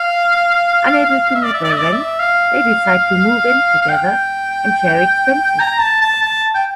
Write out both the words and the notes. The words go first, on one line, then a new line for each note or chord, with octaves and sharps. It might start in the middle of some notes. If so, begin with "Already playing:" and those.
Unable to meet their rent, they decide to move in together and share expenses.
Already playing: F5
E5
D5
E5
D5
E5
D5
E5
F5
F5
G5
A#5
A5
A5
A5
G5